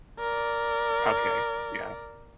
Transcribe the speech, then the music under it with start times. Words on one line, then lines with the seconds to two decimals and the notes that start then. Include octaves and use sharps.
Okay, yeah.
0.20 A#4 D5